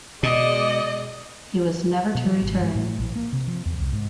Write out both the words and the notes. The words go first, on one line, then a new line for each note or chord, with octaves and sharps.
He was never to return.
B2 G#3 D5 D#5
B2
F3
G#1
G#2
A2
A#1
A#3
C3
F3
E2
C2
G#2